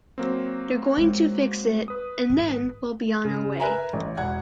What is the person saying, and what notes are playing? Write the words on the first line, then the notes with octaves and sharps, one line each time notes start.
They're going to fix it, and then we'll be on our way.
F#3 A#3 C4
G#3
B4 D#6
G#1
C#3
A#4 B4 E5 G#5 A#5
A1
E1 F#5 G#6